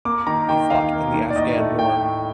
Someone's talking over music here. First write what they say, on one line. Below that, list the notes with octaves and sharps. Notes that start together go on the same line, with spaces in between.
He fought in the Afghan War.
A#3 D6
D#3 A#5
D#3 G5
D#2 F5
A#3
D#3
D5
A2 D#5
A3
A3 G5
A2